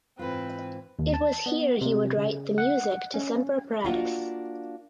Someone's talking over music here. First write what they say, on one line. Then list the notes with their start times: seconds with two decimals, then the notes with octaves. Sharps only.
It was here he would write the music to "Semper Paratus".
0.19 G#2 E3 C4 F4 B4
0.99 D#2
1.14 A5
1.46 B3
1.81 C3
2.17 C#3
2.58 F#5
3.14 C#4
3.85 A#3 D4 F4 F#4